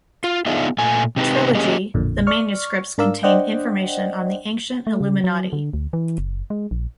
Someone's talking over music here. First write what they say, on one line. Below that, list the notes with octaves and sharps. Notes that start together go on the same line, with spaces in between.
Trilogy, the Manuscripts contain information on the ancient Illuminati.
F4
B3 D4 D#4 F4 G#4 E5
A#2 A3 G#5
C3 C4 D#4 G4 B4
A#3 C#4 G4 G#4 D#5
A1 F2 A#2 D3
D5 C#6 F6
G#2 D4 A#4 D5 F5 E6
D4 C5 D5 D#5 F#5 G5
A3
C#3
F#3
D3
D2
E3
F#1
G#3
A#1